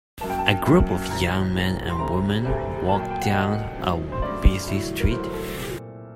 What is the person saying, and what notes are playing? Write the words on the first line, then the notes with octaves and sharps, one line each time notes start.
A group of young men and women walk down a busy street.
F#2 F#3 A#3 A5
G5
A5
F#2 F#3 A#3
C2 A#2 F#3 C4 A#5
C2 A#2 F#3 C4
C6
D2 C3 G3 C4 A#5
D2 C3 G3 C4
A#2 F#3 A#3 A5
G5
G5
F#5
A#2 F#3 A#3 D#5
G2 F#3 A3 C4
C5
G2 F#3 A3 C4 D5
A2 F#3 A3
A#4
A2 F#3 A3 C5
A4
C2 A#2 A3 C4